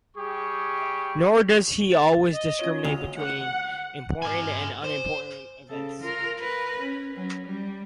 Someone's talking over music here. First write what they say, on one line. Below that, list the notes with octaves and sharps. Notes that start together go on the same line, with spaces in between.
Nor does he always discriminate between important and unimportant events.
G3 G4 G#4 C#6
A6
D#5
C#4 F4 C#5
D2 F7
F#5
A#4 G#5
C5
C#3 A4
F4 A#4
A#4 B4
C#4
F#3 C#4
G3